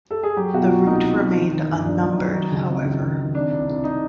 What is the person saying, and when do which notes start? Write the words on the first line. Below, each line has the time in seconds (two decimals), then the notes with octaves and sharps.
The route remained unnumbered however.
0.11 A4
0.23 G#4
0.37 F#3 G4
0.54 B2 F#4
0.61 F4
0.70 F#3
0.86 C2 D#4
1.03 C2
1.19 C2
1.36 D#3
1.53 D#3
1.69 G2
1.86 G2 D4
2.02 F#3
2.11 D#4
2.19 F#3
2.35 D#3 D#4
2.52 C#2
2.69 C3
2.85 C#2
3.01 D#3
3.18 D#3
3.35 C3 D4
3.51 C2
3.68 C2
3.84 D#4